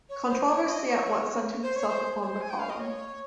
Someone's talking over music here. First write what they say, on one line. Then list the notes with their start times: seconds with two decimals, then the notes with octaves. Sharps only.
Controversy at once centred itself upon the column.
0.09 C#5
0.28 C5
0.48 C#5
0.67 D#5
0.87 C#5
1.63 C5
1.76 C#5
1.88 C5
2.21 C#5
2.26 C5
2.41 G#5
2.50 G5
2.59 F5
2.69 D#5
2.80 C#5